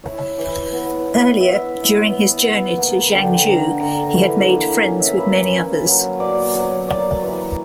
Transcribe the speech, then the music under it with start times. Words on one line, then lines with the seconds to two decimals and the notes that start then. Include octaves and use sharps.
Earlier during his journey to Jiangzhou he had made friends with many others.
0.04 E4 C#5
0.38 E3
0.72 B3
1.06 E4
1.40 B3 E5
1.75 E4
2.09 B3
2.43 B3
2.78 A#3 F#5
3.12 D3 G5
3.46 D3 A#5
3.80 D3 A#5
4.14 E3 C#6
4.49 A#3
4.84 C#4
5.00 E5
5.17 A#3 B5
5.52 C#4
5.86 F#3
6.20 B2 D5
6.54 F#3 C#5
6.88 A#3 D5
7.22 E3 C#6